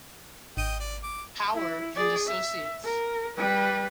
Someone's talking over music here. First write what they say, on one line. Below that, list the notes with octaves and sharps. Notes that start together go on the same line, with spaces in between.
Power and Associates.
G#1 D#5 G5 D#7
D5
D6
E4
G#4 D5
E5
A#4
G3 B4